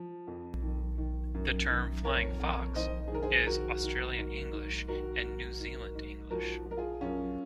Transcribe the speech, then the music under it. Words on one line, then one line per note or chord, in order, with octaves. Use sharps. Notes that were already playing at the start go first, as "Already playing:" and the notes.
The term "flying fox" is Australian English and New Zealand English.
Already playing: F3
F2
D#3
D#3
F#2
D#3
F2 A#4 C#5
F2
D#3 C5 D#5
G#4
D#3 A#4
G#4 C5
D#3 F#4 A#4
D#3
G#2
G#2
D#3 F#4 A#4
G#2
G#2
G#2
F3 F#4 A#4
F3
A#4
F4 G#4
F#2 C#4 F4